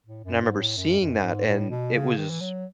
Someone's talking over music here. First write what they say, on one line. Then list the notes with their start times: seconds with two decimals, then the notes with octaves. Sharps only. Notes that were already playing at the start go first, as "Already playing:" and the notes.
And I remember seeing that, and it was,
0.06 A2
0.24 F#2
0.42 G#2
0.59 A2
0.77 F#2
1.00 F#2
1.24 G#2
1.47 A2
1.70 B2
1.94 C#3
2.18 D#3
2.30 E3
2.41 F#3